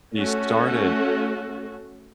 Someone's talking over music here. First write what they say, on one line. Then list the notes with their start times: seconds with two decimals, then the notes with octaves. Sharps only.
she started
0.16 A3 C#4 F#4 A4